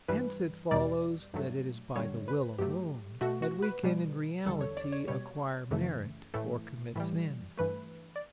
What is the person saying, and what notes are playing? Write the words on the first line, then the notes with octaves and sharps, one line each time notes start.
Hence it follows that it is by the will alone that we can in reality acquire merit or commit sin.
G2 E3 G3 B4
E2 B2 G3 D5
G2 F#3 A3
F#2 D3 G3 C#5
B4
G2 F#3 A3 G4
B2 A3 F#4
F#4
B4
B2 G3
E2 D3 G3 A4
C#5
D5
C#5
B2 G3 C#5
F#2 C#3 E3 A3
A2 E3 A3
A2 E3 G3
G2 E3 A3 B4
D5